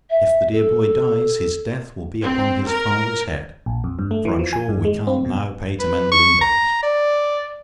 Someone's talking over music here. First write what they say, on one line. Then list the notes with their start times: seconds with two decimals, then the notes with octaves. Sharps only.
If the dear boy dies, his death will be upon his father's head; for I'm sure we can't now pay to mend windows.
0.10 E5
0.53 A4
2.21 C4
2.67 A#4
3.66 A#1
3.84 F2
3.99 G2
4.11 A3
4.25 E3
4.39 F3
4.53 G#5
4.69 G2
4.85 G#3
5.07 C4
5.25 B2
5.79 B4
6.11 C#6
6.41 A#5
6.83 D5